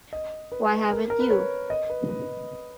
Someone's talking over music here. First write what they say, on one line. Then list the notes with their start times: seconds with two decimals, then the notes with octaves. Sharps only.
Why haven't you?
0.13 D#5
0.52 B4
0.91 A#4
1.10 A#4
1.20 B4
1.30 C#5
1.70 D#5
1.90 B4
2.09 B4